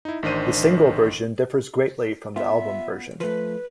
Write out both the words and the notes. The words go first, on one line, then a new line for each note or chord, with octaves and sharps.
The single version differs greatly from the album version.
D#4 E4
A1 D#3 D4 C5 D#7
B3 F4 E5
F3 A3 B4